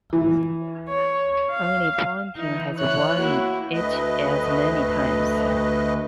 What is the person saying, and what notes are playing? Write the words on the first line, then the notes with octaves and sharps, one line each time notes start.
Only Ponting has won it as many times.
E3
C#5
F5
E3 D#4 E4
E4 C#5 F#6
A#3 E4 F#4
D2 A3 B4 D#5